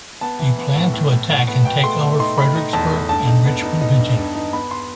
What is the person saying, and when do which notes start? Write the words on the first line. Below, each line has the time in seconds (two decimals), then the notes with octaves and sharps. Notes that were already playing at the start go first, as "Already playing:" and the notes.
He planned to attack and take over Fredericksburg and Richmond, Virginia.
0.21 B3 A5
0.39 E3
0.58 B3
0.76 A2
0.94 A2
1.12 A2
1.29 A2
1.48 B3
1.65 B2 G5
1.84 A3 C6
2.01 A3 C6
2.19 D#4 C6
2.37 A3 B5
2.55 D#4
2.73 E2 A5
2.92 A3
3.09 G2 A5
3.27 D#4
3.45 B3
3.63 D#4
3.81 D#4
3.99 G2
4.17 G2
4.35 D#4
4.53 B3 B5
4.71 C6